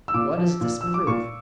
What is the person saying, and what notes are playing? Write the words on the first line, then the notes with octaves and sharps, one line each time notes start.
What does this prove?
E6
A#2 D6
F3
A#2
F3 E6
D6
A#2 C#6